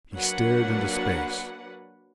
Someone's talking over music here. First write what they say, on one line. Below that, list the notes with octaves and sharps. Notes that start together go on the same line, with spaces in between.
He stared into space.
F#3 A#3 D4 B4 F#5